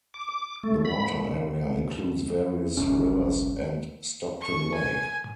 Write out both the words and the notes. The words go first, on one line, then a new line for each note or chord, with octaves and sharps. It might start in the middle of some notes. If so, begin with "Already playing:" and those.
The water area includes various rivers and Stockton Lake.
D6
A3
B5
G1 C2 C#4
C#6
G#5